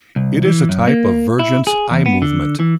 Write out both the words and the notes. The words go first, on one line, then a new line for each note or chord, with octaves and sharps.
It is a type of vergence eye movement.
C2
E3
F#2
A#3
E4
G#4
E2
B3
D3
E3